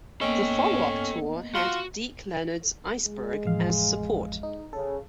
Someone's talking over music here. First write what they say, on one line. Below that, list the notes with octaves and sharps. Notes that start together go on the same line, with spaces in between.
The follow-up tour had Deke Leonard's 'Iceberg' as support.
A#3 B3 C#4 A4 D#5 G5
F4 F#4
G#3
A1 F2 F5
D#4
C#3 A4